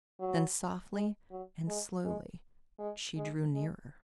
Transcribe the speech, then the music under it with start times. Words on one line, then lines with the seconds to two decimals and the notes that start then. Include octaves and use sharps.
Then, softly and slowly, she drew nearer.
0.20 F#3
0.94 G#3
1.31 F#3
1.67 G#3
2.05 G#3
2.79 G#3
3.17 G#3
3.54 G#3